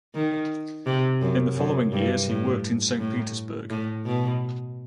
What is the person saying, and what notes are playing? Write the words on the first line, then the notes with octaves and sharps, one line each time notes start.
In the following years he worked in Saint Petersburg.
D#3
C3
F#2
F#2
G2
A2
A2
A2
B2